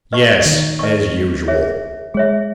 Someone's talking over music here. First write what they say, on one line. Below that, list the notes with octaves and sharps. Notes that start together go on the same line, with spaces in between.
"Yes--as usual!"
B4 D#5 A5 C#6
D#3
B4 D#5 A5 C#6
G#4 C#5 E5
G#3 G#4 C#5 E5